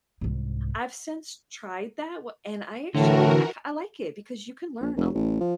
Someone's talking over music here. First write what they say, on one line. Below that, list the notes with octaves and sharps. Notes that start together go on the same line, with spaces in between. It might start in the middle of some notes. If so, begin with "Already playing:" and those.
I've since tried that w and I actually, I k I like it because you can learn a
C2 G#2
A2 D3 E3 F#4 A#4
A#1
F1
A1
F3